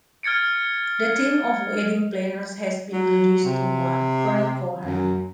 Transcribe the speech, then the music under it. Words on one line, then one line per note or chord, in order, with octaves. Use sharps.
The team of wedding planners has been reduced to one: Fern Cohen.
F6 G#6 A6 C#7 D7
F#3
C3
F#2